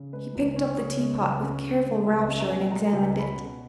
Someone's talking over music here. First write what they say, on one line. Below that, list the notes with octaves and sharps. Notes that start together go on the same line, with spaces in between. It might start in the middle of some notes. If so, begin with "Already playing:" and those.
He picked up the teapot with careful rapture and examined it.
Already playing: C#3
G#3 B4
C#2
C#4
C#3 C#5
G#3
C#2
C#4
C#3
G#3
C#2 E5
D#5
C#4 E5
A#5
B2 G#5
G#3 A#5
A#5
C#2 G5
G#5
C#4
B5
B2